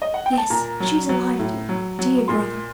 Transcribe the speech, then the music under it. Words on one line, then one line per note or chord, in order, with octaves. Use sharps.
'Yes, she is alive, dear, dear brother!
D#5
F#5
G5
A5
A#2 A#5
F#3
F#3
A2
F#3
F#3
A#2 C6